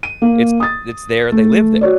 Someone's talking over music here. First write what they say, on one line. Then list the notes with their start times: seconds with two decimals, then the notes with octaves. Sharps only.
It's it's their they live there.
0.03 D#7
0.22 A#3
0.60 D#6 A6
1.32 A3
1.81 F#4 C#5 D5